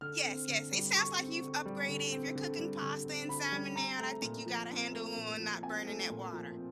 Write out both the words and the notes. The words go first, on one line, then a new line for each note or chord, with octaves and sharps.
Yes, yes. It sounds like you've upgraded, if you're cooking pasta and salmon now, I think you got a handle on not burning that water.
D3 F6
C4
D3
G3
D3 C#6
C4
D3
G3
D3
C4
D3
G3
D3
C4
D3 B5
G3
C4 A#5
A3
A#2
F3
C4
A3
A#2
F3
C4 G#5
A3
A#2
F3
C4